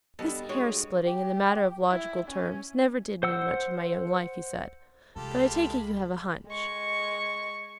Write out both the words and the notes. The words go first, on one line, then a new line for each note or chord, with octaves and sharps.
"This hair-splitting in the matter of logical terms never did mean much in my young life," he said, "but I take it you have a hunch."
G2 G3 B3 A4 D#5 A5
G#3 F#4 G#4 C#5
G4
E4
C#4
C5 F#5 E6
C2 G#3 F4 G4 A4 B5
G#3 C#6